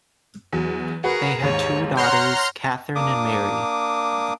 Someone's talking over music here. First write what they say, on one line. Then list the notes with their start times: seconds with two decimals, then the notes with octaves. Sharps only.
They had two daughters, Katherine and Mary.
0.53 E2 F#3
1.04 F#4 G#4 A#4 B4
1.42 D#2 G#2 C#5
1.97 C#5 F#5 A#5 C6 F6 G6
2.95 A#3 D4 D6 D#6